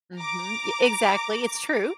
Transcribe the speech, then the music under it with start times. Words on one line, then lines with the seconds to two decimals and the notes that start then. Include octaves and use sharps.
Mhm, ye exactly, it's true.
0.17 A#5 D6